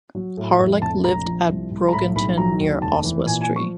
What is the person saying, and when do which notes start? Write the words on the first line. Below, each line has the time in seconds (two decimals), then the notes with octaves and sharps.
Harlech lived at Brogyntyn near Oswestry.
0.15 F#3
0.37 A2
0.60 F2
0.82 F1 A5
1.04 A#1 A#5
1.26 F3
1.49 C2
1.71 C2
1.89 A#5
1.93 A2 B5
2.15 B1 B5
2.38 F#3 A#5
2.60 D#2
2.82 F1 A5
3.04 E3
3.26 A#2 G#5
3.41 G#5
3.49 F3
3.56 C#6